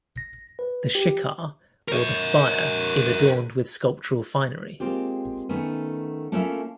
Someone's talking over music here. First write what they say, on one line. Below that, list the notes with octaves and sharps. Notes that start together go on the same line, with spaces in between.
The "shikhar" or the spire is adorned with sculptural finery.
A#6
B4
G4
A#4 C#5
G#3 A#3 C4 F4 G4
D#3 A3 B3 C#4
A3 A#3 C#4 E4 F4 E5